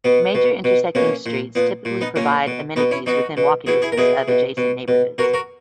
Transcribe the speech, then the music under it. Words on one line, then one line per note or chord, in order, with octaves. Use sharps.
Major intersecting streets typically provide amenities within walking distance of adjacent neighborhoods.
B2 B3
B2
B2
B2 A#3 C#4
A#2
A#2 B3
A#2
B3 D#4
A#2 A#3 C#4
B2
B2 B3 D#4
C#4 E4
B2 D#4 F#4
B2
B2 E4 G#4
E4 G#4
A#4
B2 E4 G#4
B2
B2
B2
B2 F#4 A#4
F#4 A#4